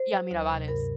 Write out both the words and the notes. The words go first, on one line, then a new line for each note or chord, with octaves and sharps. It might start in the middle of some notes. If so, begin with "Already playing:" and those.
Yeah, Mirabales,
Already playing: C5
F#3
D2
C3
G2 A#4